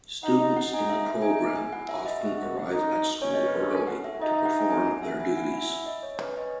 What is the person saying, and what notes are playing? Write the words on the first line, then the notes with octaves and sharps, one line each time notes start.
Students in the program often arrive at school early to perform their duties.
D#4 F#5
D#5
F#5
D#4 G#5
E5
E5
D#4 G#5
G#5
G#5
E4 F#5
E5
D#5
F#4
D#4
C#4 C#5
D#5
B4
A4
F#5
E5
D#4 D#5
E5
F#5
G#5
G#5
F#5
E5
E4 G#5
G#5
F#5
E5
D#5
C#5
C#4 B4
D#5